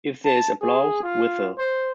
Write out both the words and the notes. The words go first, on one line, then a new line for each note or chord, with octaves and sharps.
If there is applause, whistle.
A5
G#4
F4
C5